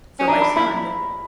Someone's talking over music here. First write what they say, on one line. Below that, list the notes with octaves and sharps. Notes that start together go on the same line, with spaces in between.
for my son,
C#4
D4 A#5
B5
E4 B5